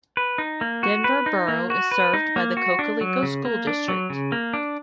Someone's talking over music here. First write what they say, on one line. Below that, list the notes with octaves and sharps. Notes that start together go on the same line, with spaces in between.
Denver Borough is served by the Cocalico School District.
B4
D#4
A#3
F#4
B4
D#4
A#3
F#4
B4
D#4
A#3
F#4
D4
F#3
C#3
A#3
D4
F#3
C#3
A#3
D4